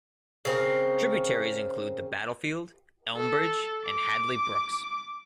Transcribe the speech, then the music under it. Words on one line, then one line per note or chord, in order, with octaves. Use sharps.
Tributaries include the Battlefield, Elmbridge and Hadley brooks.
C#3 C4 A#4
A4
D6